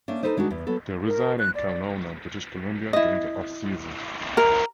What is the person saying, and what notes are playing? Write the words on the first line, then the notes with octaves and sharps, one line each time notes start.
They reside in Kelowna, British Columbia, during the off-season.
A3 A#3 C#4 D4
D#4 F#4 A4 B4 C5 D#5
D#3 G#3 D4 D#4 F#4
E2
F#3 B3 A4
A#4
F#6
D5
E4 D#5
A#4